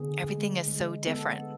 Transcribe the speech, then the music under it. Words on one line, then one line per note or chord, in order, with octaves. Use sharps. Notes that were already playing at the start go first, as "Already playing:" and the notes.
everything is so different.
Already playing: D3 B3 G#4
G#3
G#3
B3 A4